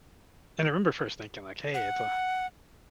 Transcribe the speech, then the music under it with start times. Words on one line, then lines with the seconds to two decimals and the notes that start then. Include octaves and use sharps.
and I remember first thinking like, "Hey, it's a"
1.74 F#5